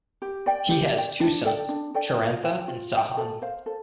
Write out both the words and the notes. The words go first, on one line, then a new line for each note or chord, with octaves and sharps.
He has two sons, Chirantha and Sahan.
G4
D5 G5
G4
D5 G5
D4
A4 D5 G5
D4
A4 D5 G5
F4
C5 G5
F4
C5 G5
A4
C5 F5
A4